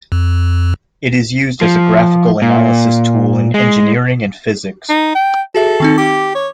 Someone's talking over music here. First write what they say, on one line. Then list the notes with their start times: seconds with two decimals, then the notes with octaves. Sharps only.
It is used as a graphical analysis tool in engineering and physics.
0.12 F2
1.61 F3
2.42 A#2
3.54 G#3
4.89 D#4
5.15 G5
5.55 F#4 G#4 A4 E5
5.80 D#3 C4 D#4
5.98 G4 D6
6.35 C#5